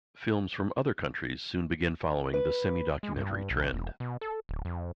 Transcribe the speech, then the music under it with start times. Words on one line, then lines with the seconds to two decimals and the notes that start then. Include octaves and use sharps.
Films from other countries soon began following the semidocumentary trend.
2.34 B4
3.03 G#3
3.16 G2
3.51 B1
3.73 E1
4.00 B2
4.21 A4
4.49 D1
4.65 F2